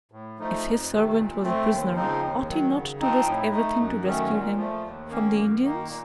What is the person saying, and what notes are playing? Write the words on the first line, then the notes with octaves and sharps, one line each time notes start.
If his servant was a prisoner, ought he not to risk everything to rescue him from the Indians?
A2
F3 A3 D#4
F2
C3 D#3 A3
A#2
A3 C4
D#2
C#3 F3 C4 D#4
D#2
D#3 F#3
C#3
F3 C4 D#4
A2
A3 D#4
F#2
D#3 F#3 A3 C#4
A#2
F3 A3
D#2
D#3 A#3 C#4
F#2
D#3 A#3 D#4
A#2